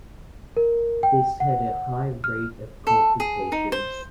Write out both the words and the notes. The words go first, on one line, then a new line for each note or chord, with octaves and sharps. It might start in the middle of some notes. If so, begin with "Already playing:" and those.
This had a high rate of complications.
A#4
G5
F#5
F6
A4
G#4
D#4
C5